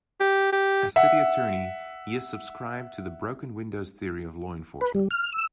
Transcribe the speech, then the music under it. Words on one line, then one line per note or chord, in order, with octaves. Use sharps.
As City Attorney, he has subscribed to the "broken windows" theory of law enforcement.
G4
G4
E5 F#5
B4
G3
F6
E6